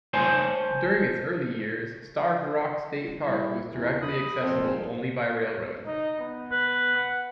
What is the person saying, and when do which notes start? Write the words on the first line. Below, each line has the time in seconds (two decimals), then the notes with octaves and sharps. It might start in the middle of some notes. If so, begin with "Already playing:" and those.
During its early years, Starved Rock State Park was directly accessible only by railroad.
0.14 C5 C#5 G#5 A5 C6
3.23 G3 E4
3.72 E2 C3 E3
4.02 B5 D#6
4.42 F2 A#2 A#3 C4 A4
5.87 D#4
6.20 B3
6.52 B4
6.96 F#5